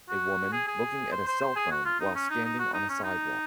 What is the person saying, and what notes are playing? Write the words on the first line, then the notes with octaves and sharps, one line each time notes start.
A woman looking at a cellphone while standing on a sidewalk.
F#4
G#4
G#4
C5
C5
C5
G#4
F#4
F4
D#4
C#4
D#4
D#4
F#4
D#4
C#4
D#4